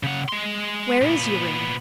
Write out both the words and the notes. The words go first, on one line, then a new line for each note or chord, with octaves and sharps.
"Where is your room?"
C#3 F#5
G#3 C6
A#2 B3